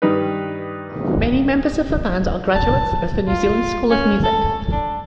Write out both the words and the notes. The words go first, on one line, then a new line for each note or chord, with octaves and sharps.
Many members of the band are graduates of the New Zealand School of Music.
G2 D#3 G3 D#4 G4 B4
A5
F4
C#4
A4
D4